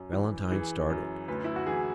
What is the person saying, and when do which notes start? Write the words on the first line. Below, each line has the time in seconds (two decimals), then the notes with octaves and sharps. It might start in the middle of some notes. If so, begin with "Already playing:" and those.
Valentine started.
Already playing: F#2
0.13 E3
0.51 E3 G#4
0.90 F#2
1.28 D2 B4
1.44 E4
1.56 F#4
1.66 E3 G#4